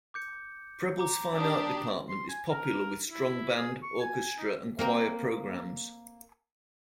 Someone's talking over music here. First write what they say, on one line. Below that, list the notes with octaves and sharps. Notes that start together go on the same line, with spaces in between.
Preble's fine arts department is popular, with strong band, orchestra, and choir programs.
D6 G6 C#7
A#5 D6
D4 G4 D#6
C6
G#5
A#4
E4
G#4
C#6
G#5
D#4
A#3 C4 A#4